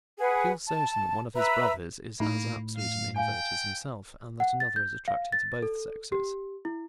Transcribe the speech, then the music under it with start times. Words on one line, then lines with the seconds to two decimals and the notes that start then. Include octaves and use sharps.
He feels certain that one of his brothers is as absolute an invert as himself and that another is attracted to both sexes.
0.19 G#4 B4 F#5 G#5
0.67 A5
1.35 B4 E5 A#5 E6
2.20 A2 A3 A#3 D#4 B5
2.77 F5
3.16 F5 G5 G#5
4.40 F#5
4.60 A6
4.76 G6
5.08 F5
5.32 A6
5.62 A4
6.12 G4
6.65 E4